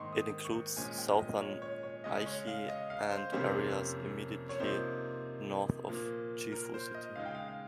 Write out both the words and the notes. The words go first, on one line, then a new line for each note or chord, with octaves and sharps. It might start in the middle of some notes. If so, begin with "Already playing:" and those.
It includes southern Aichi and areas immediately north of Gifu City.
Already playing: G#2 D#3 A#3 D#4 C6 C#6
D#6
C#6
A#2 F3 G#3 C#4 G#5
G5
D#5
C#5
C#5
C#5
C#3 G#3 C#4 D#5
C#5
F5
D#5
F5
C5
F2 C3 G3 A#3 C#4 C5
C#5
C3 F3 A#3 D#4 C5
A#2 F3 A#3
A#4
C5
D#5
C#3 G#3 D#4 F5
G5
F5
F5